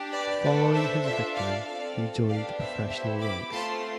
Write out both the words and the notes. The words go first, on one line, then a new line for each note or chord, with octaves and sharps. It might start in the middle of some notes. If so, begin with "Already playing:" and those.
Following his victory, he joined the professional ranks.
Already playing: D4 G4
B4 D5
A3 D4 A4 B4 D5
C5 E5
D4 F4 A4 C5 E5
D5 F5
C4 F4 A4 D5 F5
B3 D4 G4 D5 F5
C5 E5
B3 E4 G4 C5 E5
B5 D6
A3 C4 F4 A5 C6